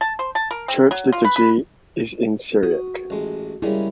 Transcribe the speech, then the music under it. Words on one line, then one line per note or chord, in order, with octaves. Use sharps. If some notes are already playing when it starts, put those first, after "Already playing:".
Church liturgy is in Syriac.
A5
C5
A5
A#4
C4
F#3
F4
B4
B4
F#4 D#6
A1 G#3
C#3 G3 G#3 E4 A#4